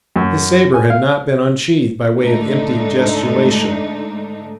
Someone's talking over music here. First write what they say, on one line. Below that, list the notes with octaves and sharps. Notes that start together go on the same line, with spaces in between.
His sabre had not been unsheathed by way of empty gesticulation.
F#2
G#5
F5
G#2 D3 A3 D4 D#4